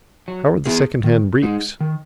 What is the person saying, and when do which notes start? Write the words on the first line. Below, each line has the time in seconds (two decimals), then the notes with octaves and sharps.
How are the secondhand breeks?
0.28 F#3
0.66 B3 E4 G#4
1.04 D#3
1.42 G#3 D#4
1.80 D#3